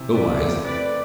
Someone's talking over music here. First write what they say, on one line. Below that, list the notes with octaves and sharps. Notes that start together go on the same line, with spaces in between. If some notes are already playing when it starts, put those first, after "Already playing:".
No lies!
Already playing: C3 E3
C3 B4 D5
A3
C4 B4 D5
A3